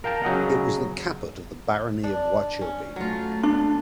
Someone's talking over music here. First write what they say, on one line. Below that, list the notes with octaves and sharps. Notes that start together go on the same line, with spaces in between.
It was the caput of the Barony of Wauchope.
A#4 F5 G5 A5 A#5
C#3 F#3 D#5 F#5
D4
C#4
F#3 A3 F4
D4